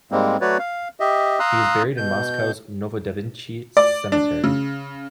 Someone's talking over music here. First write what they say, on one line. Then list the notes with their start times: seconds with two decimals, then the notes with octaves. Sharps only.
He is buried in Moscow's Novodevichy Cemetery.
0.11 G#2 G3 G#3 A#3 C4
0.41 F#3 A3 F#4 B4 C#5 D5
0.59 F5
1.00 G4 D#5 E5
1.39 F5 A#5 C6 D#6 E6 F#6
1.97 B2 G6
3.77 D5
4.12 D4
4.44 C#3